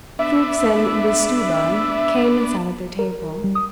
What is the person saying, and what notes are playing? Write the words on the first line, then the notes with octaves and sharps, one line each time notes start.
Fuchs and Wistuba came and sat at their table.
B3 D4 E5
A#4
G3
D#6